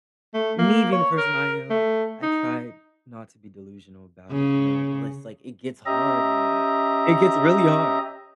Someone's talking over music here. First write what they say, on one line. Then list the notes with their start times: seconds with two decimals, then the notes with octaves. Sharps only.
me being the person I am, I tried not to be delusional about it, you know? But l it's like, it gets hard when it gets really hard
0.34 A3
0.58 A#3
0.93 C#5
1.18 A#4
1.70 A3
2.23 D#4
4.32 C#3
5.86 C#4 G4 D#5 E5 A#5